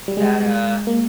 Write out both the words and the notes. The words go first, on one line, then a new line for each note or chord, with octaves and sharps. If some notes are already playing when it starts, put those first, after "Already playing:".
that, uh
G3
G#3
A#3